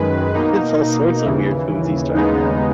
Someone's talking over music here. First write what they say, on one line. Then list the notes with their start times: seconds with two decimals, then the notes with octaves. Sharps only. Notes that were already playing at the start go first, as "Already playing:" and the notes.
it's all sorts of weird foods he's trying now.
Already playing: F#2 D#3 G#3 B4
0.34 B2 A#3 D#4
1.25 D#2 C#3 E3
2.15 D#2 C#3 G#3 B3 D#4